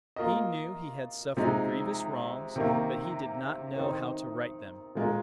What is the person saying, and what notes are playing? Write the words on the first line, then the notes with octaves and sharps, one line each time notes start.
He knew he had suffered grievous wrongs, but he did not know how to right them.
A#3 F4 A#4 D#5
C3 F3 G#3 D#4
C3 D#3 A#3
D#3 C4 D#4
A#2 F3 G#3 F4 A#4